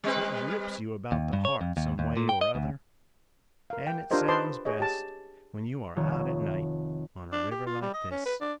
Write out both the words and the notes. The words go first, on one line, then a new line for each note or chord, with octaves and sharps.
It grips you about the heart some way or other, an' it sounds best when you are out at night on a river like this.
G3 C4 B4
D#2
G2
C#5
F2
D#2
D#2
A#2
G5
D#5
D2
A#4 F5
G5
D4 F4 G4 A#4 C5 D#5
B4 C5 A5 C6 D6 D#6
G#4 C#5 D#5
G4 A5
F1 D#3 C#5
D4
G4
F4
G3
D#5
C#4
B4
D4